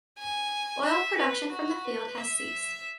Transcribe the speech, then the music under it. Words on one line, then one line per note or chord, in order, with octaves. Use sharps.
Oil production from the field has ceased.
G#5
E5
B4
F#4
B4
E5